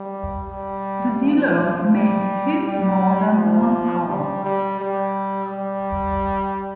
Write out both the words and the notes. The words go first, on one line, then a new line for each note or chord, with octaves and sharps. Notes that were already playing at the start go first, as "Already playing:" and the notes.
The dealer may hit more than one card.
Already playing: G3
G3
F3
G3
G3
F3
G3
G3
G3
G3